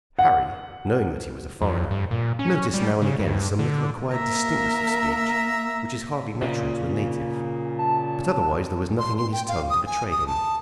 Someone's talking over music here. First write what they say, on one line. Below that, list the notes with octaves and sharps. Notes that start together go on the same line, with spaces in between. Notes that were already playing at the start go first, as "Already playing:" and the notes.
Harry, knowing that he was a foreigner, noticed now and again some little acquired distinctness of speech which is hardly natural to a native; but otherwise there was nothing in his tongue to betray him.
F#5
F2
G2
A#2
C#4
G3
C#3
G2
D3
A#3 A#4 E5 A#5
A#2 C#3
A5
C6
C6
G5
F5
D#6
G#5
D#6
A5